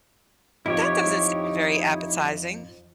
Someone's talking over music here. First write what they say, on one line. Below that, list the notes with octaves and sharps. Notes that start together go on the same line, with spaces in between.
That doesn't seem very appetizing.
F2 D#4 E4 G4 C#5